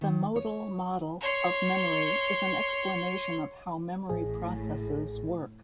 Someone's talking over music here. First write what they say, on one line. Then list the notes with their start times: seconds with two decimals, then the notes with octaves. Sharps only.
The modal model of memory is an explanation of how memory processes work.
0.01 D#3
0.36 C#5
1.21 C#5 C6
4.10 A1 A2 G#4